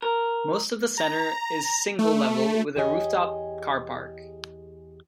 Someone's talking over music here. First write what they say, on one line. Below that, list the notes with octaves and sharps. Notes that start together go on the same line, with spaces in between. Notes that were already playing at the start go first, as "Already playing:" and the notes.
Most of the centre is single level with a rooftop carpark.
A#4
A#5
A3
E2 G4 G#4 C#5 D#5 G#5